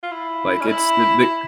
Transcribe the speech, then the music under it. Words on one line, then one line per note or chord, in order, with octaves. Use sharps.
like, it's the the
F4
E4
C#4
E4
E4